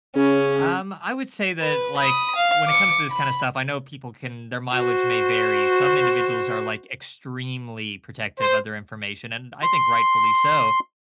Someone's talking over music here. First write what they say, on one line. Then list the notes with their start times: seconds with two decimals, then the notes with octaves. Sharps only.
Um, I would say that, like, when it comes to this kind of stuff, I know people can their mileage may vary. Some individuals are, like, extremely protective of their information, and I think rightfully so.
0.16 C#3 C#4
1.61 B4
1.97 B5 D#6
2.36 F5
2.67 D6 C#7
3.10 B5
4.74 F#4 C5
8.40 C5
9.63 C6